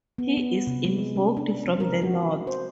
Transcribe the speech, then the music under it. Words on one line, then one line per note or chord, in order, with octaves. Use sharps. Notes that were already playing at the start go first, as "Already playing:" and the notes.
He is invoked from the North.
B3
B3
C3
G#3
C#4
D4
C4
A#4
F#4
C5